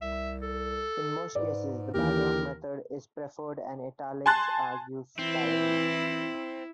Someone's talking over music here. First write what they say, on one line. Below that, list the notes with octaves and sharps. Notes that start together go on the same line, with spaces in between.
In most cases, the background method is preferred and italics are used sparingly.
C2 E5
A4
G#2 B4 D5
D#2 E3 G4 A#4
G#5 A5 C6 F#6 A6
E3 C4 E4